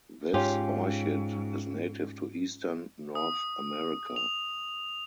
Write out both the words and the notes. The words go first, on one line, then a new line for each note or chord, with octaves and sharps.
This orchid is native to eastern North America.
G#2 C#4 F4 G4
D#6
F7